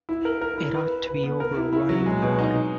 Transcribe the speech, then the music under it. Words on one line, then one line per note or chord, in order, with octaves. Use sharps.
It ought to be over running water.
E4
A#4
A#4
E4
B4
B4
B4
B3
A#4
E4
E4
F#3
G#3
B2
D#4